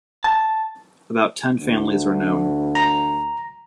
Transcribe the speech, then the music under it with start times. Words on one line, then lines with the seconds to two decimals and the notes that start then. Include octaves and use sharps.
About ten families are known.
0.24 A5
1.55 D2
2.75 A#5